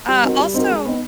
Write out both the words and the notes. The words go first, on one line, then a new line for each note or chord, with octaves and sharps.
Uh, also
G3
C4 D#4 F#4 A#4
G3
C4 D#4 F#4 A#4
G#3
B3 D#4